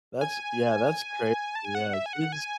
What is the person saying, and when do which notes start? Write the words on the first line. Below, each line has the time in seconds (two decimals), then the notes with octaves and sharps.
That's yeah, that's crazy, yeah. Kids
0.21 G#5
1.55 A5
1.65 G#5
1.75 F#5
1.93 E5
2.06 G#5
2.13 F#5
2.32 G#5